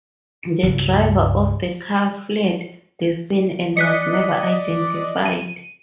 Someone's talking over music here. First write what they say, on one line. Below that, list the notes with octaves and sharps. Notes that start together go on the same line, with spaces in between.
The driver of the car fled the scene and was never identified.
C#2 G2
D5 D#5 F#6 B6 C#7
D#7